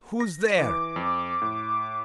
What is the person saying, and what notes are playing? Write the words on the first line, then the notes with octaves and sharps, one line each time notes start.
'Who's there?
A#6
E3 D6
F2
A2